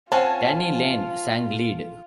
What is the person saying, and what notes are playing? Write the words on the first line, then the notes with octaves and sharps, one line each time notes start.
Denny Laine sang lead.
C4 C#4 F4 C5 C#5 F#5 G#5 A5